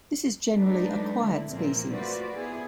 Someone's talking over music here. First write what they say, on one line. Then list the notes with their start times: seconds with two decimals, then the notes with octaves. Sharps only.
This is generally a quiet species.
0.53 F#3 G#3 A3 D4 D#4 B4
1.20 D3 E4
1.50 A#2 E3 F3 A#3 C4
1.91 A3 F4 F#4 B4 C5 D5
2.36 B3 E4 G#4